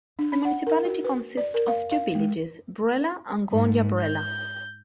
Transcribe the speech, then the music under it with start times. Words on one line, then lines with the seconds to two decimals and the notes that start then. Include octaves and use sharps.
The municipality consists of two villages: Brela and Gornja Brela.
0.19 D4
0.32 B5
0.45 F#5
0.67 A#4
0.85 F#4
1.04 B4
1.37 D5
1.54 A#4
1.68 F5
1.91 F5
2.15 G#3
3.50 G#2
4.01 G6